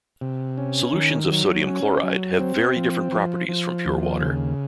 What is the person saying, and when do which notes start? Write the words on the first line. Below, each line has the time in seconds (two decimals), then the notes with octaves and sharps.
Solutions of sodium chloride have very different properties from pure water.
0.21 C3
0.58 C#4
0.93 D#3
1.31 F#3
1.67 C#4
2.03 F#3
2.40 C4
2.76 F3
3.12 F3
3.49 F3
3.86 D#2
4.21 C#3